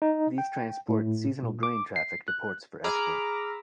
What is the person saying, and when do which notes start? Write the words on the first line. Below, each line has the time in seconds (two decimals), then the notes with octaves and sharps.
These transport seasonal grain traffic to ports for export.
0.02 D#4
0.38 G5
0.89 A2
1.43 A#2
1.63 D6
1.96 C7
2.28 F#6
2.84 G#4 A#5 B5 D6 E6 F6